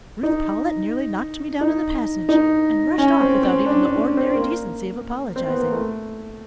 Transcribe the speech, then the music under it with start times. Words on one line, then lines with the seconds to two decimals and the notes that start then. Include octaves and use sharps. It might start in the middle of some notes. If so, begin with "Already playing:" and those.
"Ruth Powlett nearly knocked me down in the passage, and rushed off without even the ordinary decency of apologising."
0.23 D#4
1.61 D#4
2.29 D#4
2.98 C#4
3.21 C4
3.43 C4
3.66 D4
3.83 D4
4.00 D4
4.17 C4
4.35 A#3
5.36 C4
5.48 B3
5.60 A#3
5.72 A3